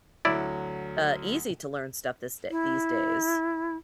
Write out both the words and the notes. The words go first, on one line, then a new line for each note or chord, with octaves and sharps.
uh, easy to learn stuff this da these days.
D2 F#3 E4 D5
E4